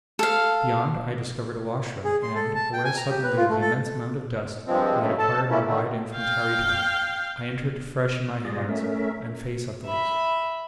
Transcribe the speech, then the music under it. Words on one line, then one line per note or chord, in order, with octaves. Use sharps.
Beyond, I discovered a washroom, and, aware suddenly of the immense amount of dust I had acquired in the ride in from Tarrytown, I entered to freshen my hands and face at the least.
A4 F5
G#4
C6
A4
A5
G5
G#5
A#5
G4
B4
F4
A3
A4
G2 F3 G#3 C4
F#2 C#3 A3
A4 A5
G#3 A#3 C#4 E4
D3 D#3 A3
F5 G5
G3 F4 G#4 D5 D#5
A3 C#4 A#4 E5
E5 B5